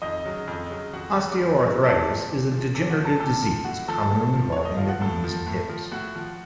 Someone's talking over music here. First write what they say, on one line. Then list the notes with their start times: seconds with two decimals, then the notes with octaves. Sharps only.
Osteoarthritis is a degenerative disease commonly involving the knees and hips.
0.02 F2 D#4 D#5
0.25 C#3 F#3
0.48 F2
0.70 C#3 F#3
0.93 F2 F#4 F#5
1.15 C#3 F#3
1.38 F2
1.61 C#3 F#3
1.83 A#2 A4 A5
2.06 F3
2.29 A#2
2.52 F3
2.74 A#2 A4 A5
2.90 F#4 F#5
2.97 F3
3.05 A4 A5
3.19 A#2 A4 A5
3.42 F3
3.65 A2 F#4 F#5
3.88 F3 A4 A5
4.11 A2
4.34 F3
4.52 A2 C#5
4.65 D#5
4.77 F3 F5
4.89 F#5
5.01 A2 A4 A5
5.24 F3
5.47 A2
5.69 F3
5.92 A2 F#4 F#5
6.15 F3